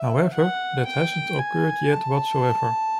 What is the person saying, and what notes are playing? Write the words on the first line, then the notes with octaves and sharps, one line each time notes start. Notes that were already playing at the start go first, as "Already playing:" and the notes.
However, that hasn't occurred yet whatsoever.
Already playing: E5
F#5
G5
G#5
A5